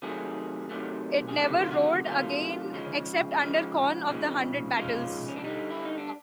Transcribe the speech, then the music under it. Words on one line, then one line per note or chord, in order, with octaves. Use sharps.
It never roared again except under Conn of the Hundred Battles.
C3 D#3 F#3 A3 G#4
C3 D#3 F#3 A3
G#4
C3 D#3 F#3 A3 G4
F4
F#4
C3 D#3 F#3 A3 F4
C#3 F3 G#3
C#3 F3 G#3
C#3 F3 G#3
C#3 F3 G#3 F4
C#4
D4
D3 G3 D#4
E4
D#4
D4